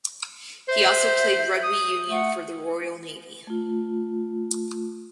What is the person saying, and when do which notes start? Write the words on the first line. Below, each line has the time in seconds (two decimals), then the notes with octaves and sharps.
He also played rugby union for the Royal Navy.
0.68 C5 E5 G6
1.63 D#6
2.10 A3 F#5
3.47 A3 F4